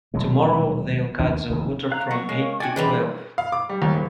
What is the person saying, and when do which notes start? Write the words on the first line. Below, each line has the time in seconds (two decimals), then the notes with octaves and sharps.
Tomorrow they’ll cut the water from eight to twelve.
0.14 D#1 B2 F#3 G#3
1.19 D#2 D4
1.49 F1 D#2 G#2
1.92 F5 A#5 F#6
2.11 F#3 F#5 C#6
2.29 G#3 A#4 C#5 F5
2.60 C#4 D#4 F#4 D5 G5 G#5
2.76 B2 E3 G3 G#4 B4 C5 A#5
3.38 F5
3.52 D6
3.69 G3
3.82 D#2
3.95 F#1